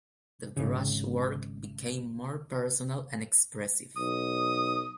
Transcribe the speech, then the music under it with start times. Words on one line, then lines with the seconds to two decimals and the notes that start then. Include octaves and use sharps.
The brushwork became more personal and expressive.
0.57 G#1 G#2 C#3
3.97 B1 D#6